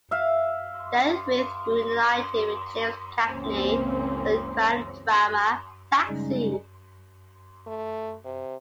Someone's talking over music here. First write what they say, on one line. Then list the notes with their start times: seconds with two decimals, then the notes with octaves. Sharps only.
Del Ruth reunited with James Cagney for the crime drama Taxi!
0.11 E5 F5
3.28 C#2 C#3 E3 A#3 C4 C#4
6.08 C#3 G3 G#3 C#4 D#4
7.67 A3
8.25 C3